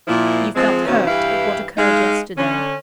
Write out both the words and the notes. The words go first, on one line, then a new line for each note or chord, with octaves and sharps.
You felt hurt at what occurred yesterday!
A#2 F3 E4
F3 G#3 C4
B2 D#3 E3 A#3 C4 C#4
G2 E3 E4 G4 F5
G#3 D#4 F5
D3 C#4